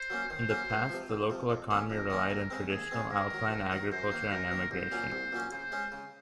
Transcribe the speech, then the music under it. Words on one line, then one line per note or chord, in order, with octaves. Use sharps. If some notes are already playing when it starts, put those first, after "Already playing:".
In the past, the local economy relied on traditional alpine agriculture and emigration.
Already playing: C5
F#3 A#3 C#4
D#3 C5
F#3 A#3 C#4
C#2
C3 F3
C#2
C3 F3
F2
D#3 A#3 C#4
F2 A#4
D#3 A#3 C#4
D#2
C#3 G#3 C4
D#2 G#4
C#3 G#3 C4
G#2 A#4
D#3 F#3
G#2 A#4
D#3 F#3
F#2 C5
D#3 A#3
F#2 A#4
D#3 A#3
C2 C5
A#2 F#3 C#4
C2
A#2 F#3 C#4
C#3 C5
G#3 C#4
C#3